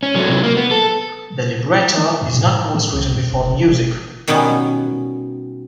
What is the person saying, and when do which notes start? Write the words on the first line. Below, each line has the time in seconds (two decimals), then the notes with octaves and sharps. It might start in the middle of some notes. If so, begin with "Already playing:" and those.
The libretto is not always written before the music.
0.03 C#4
0.16 F#3 A3
0.28 C3 F#3
0.44 A#3
0.57 B3
0.71 A4
1.97 D#3
2.22 F#2
2.35 A2
2.75 D#3
2.93 C2
3.15 F#2
3.33 F1
3.54 G1
3.72 B2
4.27 B2 D#3 G3 B3 C#4